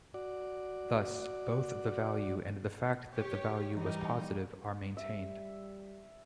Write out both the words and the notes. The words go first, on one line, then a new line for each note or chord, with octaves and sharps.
Thus, both the value and the fact that the value was positive are maintained.
F#4 D5
G4 C#5
E3 G3 D#4
G3 E5